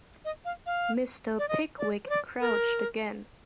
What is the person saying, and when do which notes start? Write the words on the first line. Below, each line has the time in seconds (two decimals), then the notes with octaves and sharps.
Mr. Pickwick crouched again.
0.25 D#5
0.45 F5
0.66 F5
1.39 D5
1.49 D#5
1.78 D5
2.06 C5
2.09 D5
2.41 A#4